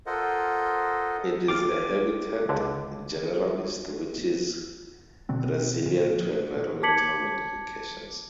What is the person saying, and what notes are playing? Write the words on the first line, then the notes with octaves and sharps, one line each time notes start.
It is a habitat generalist which is resilient to environmental modifications.
F4 A4 A#4 C5 D#5 F#5
F4 F5 G5 D6
C#2 D3
B2 D3 C4
A#2
A5 D6 G#6 B6 C#7 F#7